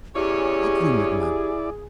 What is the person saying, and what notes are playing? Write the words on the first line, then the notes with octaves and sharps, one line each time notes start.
"What wounded man?"
E2 C#4 E4 G4 G#4 C#5 D5